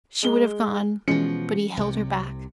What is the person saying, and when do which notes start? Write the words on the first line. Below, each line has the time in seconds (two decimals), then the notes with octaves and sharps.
She would have gone, but he held her back.
0.23 G#3 G7
1.08 B2 E3 F3 G#3 C#4 C#7
1.77 C2 C3